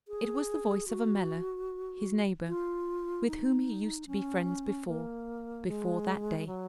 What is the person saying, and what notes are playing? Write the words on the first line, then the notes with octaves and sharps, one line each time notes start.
It was the voice of Ammella, his neighbor, with whom he used to be friends before--before that day.
G#4
F#4
F4
D#4
C#4
A#3
G#3
F#3